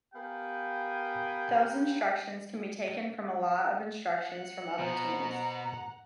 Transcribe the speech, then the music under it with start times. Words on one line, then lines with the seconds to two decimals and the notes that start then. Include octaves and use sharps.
Those instructions can be taken from a lot of instructions from other teams.
0.14 B3 G4 A#4 F5 G5 G#5
4.18 F#5
4.79 B2 C5 A#5